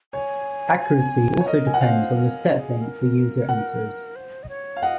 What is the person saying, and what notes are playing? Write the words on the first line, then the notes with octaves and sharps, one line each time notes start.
Accuracy also depends on the step-length the user enters.
C#5 G#5
C#5
A#4 D#5
G#5
F#5
C5 F5
A#4
G#4
A#4
F#5
C5
D#5
C#5
F5
D#5 F#5